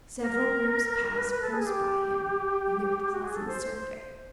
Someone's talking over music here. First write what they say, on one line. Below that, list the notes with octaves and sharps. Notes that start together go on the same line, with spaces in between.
Several groups passed close by him, in their pleasant circuit.
A#4
B4
B4
A4
G#4
G4
F#4
G#4
A4
C5
C5
C5